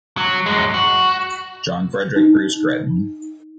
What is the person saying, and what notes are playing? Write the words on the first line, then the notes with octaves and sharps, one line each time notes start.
John Frederick Bruce Gretton.
F#3
F#2 G#3
F#4
D#4